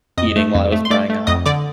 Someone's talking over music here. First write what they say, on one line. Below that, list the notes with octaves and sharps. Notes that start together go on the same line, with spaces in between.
eating while I was growing up."
F2 D#5 D#6
A3
F2
A3
C6
A3 D5 D6
A3
F2 D#5 D#6
D3 D5 D6